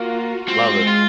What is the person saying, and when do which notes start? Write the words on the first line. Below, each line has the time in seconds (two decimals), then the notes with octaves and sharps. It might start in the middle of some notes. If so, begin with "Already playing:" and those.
Love it.
Already playing: A#3 F4 F#4
0.48 G#3 C4
0.87 F4